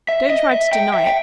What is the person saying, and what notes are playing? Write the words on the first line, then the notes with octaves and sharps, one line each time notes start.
Don't try to deny it.
E5
D#5
E5
G5
E5
G5